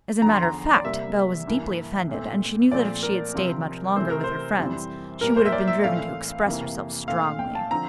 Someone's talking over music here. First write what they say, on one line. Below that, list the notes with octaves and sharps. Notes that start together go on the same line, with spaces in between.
As a matter of fact Belle was deeply offended, and she knew that if she had stayed much longer with her friends she would have been driven to express herself strongly.
E2 D3 F3 A#5
C6
A#5
D5
C3 G3 A#3 E5
G2 E3 A#3
A#2 A3 C4
A#2 F3 A3 C4 D5
A#4
C3 F3 C4
C3 E3 A3 C4 C5
A#4
C5
F2 E3 G3 C4
A#2 G3 A#3 A#4
C5
E5
D5
E5
A2 E3 A3 C4 F5
F2 C3 E3 A#3
A#2 A3 C4 F5
G5
A5
D3 F3 C4 A#5